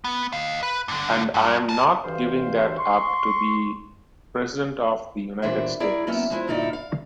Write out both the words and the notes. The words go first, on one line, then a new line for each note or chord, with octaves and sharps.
And I'm not giving that up to be President of the United States.
B3
D#5 F5
B4
G2 D3
G2
G#5 A5
D2 G2 E3 C5 F5
C6 C#6
A#2 E3 G3 D4 C5 E5
E4 G#4 A#4 D5
F#3 A#3 B3 C#4 E5
F3 G#3 E4 C5
D2 G2 A#2 D#4 E4 D5
F5